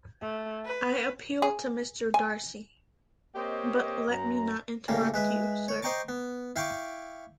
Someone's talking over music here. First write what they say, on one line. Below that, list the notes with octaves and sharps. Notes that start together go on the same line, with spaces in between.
I appeal to Mr. Darcy: — but let me not interrupt you, Sir.
A3
B4
G#4
G#5
A#3 C4 G4 C#5 D#5
F#2 A#5
A2 C#3 G3 A#3
G#3 B4 E5
C#5
C5 D#5 G5 A#5 C#6 D6
B3
E4 F5 G5 C#6 D6